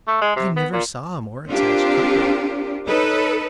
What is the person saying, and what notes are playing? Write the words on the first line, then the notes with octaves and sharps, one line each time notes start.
I never saw a more attached couple.
A3
G#3
C3
B3
A#2
C4 D4 F4 G4 A#4
D#4 A4 B4 C#5